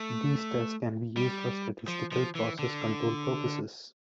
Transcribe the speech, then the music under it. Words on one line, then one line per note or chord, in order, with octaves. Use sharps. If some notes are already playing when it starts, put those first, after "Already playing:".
These tests can be used for statistical process control purposes.
Already playing: A3
G3
F3
F3
E3
D3